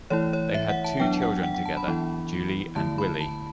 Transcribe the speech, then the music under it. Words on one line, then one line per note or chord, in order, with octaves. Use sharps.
They had two children together, Julie and Willi.
E3 A3 E4 C#5
C#5
E5
F#5
A5
F#3 B3 D4 G5
F#5
F#5
F#5
A5
B5
E3 B3 E4
D3 A3 E4 A5
B5
A5